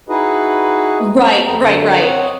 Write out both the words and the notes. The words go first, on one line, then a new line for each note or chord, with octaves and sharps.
Right, right, right.
D#4 E4 F#4 G#4 B4 D#5
A#3 B3
F2 A3 B3 D#5 G5 A#5
F#2 D3
C4 C#5 D#5 F#5